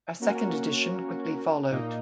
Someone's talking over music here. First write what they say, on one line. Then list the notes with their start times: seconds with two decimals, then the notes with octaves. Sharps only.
A second edition quickly followed.
0.20 A#3 C#4 F#4 A#4
1.70 A#2 A#3 D#4